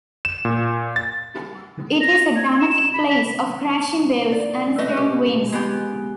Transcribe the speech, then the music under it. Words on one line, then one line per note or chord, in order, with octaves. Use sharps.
It is a dramatic place of crashing waves and strong winds.
E7
A#2
A6
A#6
G#6
E7
B5
B6
D5
A3 F#4 B4 D#5 E5
G4
G#3 B3 G4